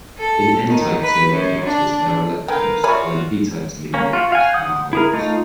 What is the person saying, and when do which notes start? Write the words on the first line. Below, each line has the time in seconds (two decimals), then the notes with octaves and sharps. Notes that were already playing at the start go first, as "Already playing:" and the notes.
In n-type semiconductors they are electrons, while in p-type semiconductors they are holes.
0.18 A4
0.68 D#3
1.01 B4
1.32 F#2
1.65 D4
2.48 D3 A#4 B4 F5 G5 G#5
2.84 F4 F#4 C#5 D5 E5 G#5 B5 C#6
3.94 A#3 C#4
4.13 F4 F#4
4.32 F5 F#5 G#5
4.53 F#5 D#6 G6
4.93 E4 G#4 A#4
5.13 A3 D#4 F4